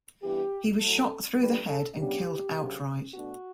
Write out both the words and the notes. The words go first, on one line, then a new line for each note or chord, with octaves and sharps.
He was shot through the head and killed outright.
G2 E3 B3 G4
A2 F#3 A3 A4
E2 D3 G3 B4
A4
C#3 G3 B3 D4 G4
D2 C#3 F#3
B2 A3 D4 F#4